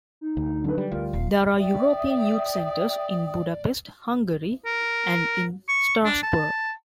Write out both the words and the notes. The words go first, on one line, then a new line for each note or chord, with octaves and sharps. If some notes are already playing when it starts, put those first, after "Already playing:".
There are European Youth Centres in Budapest, Hungary, and in Strasbourg.
D#4
D2
D3 F#3 B4
G3
D2 F4 A#4
D#1 F5
D5 E5 G5 D#6
A#4
C#6
D4
A5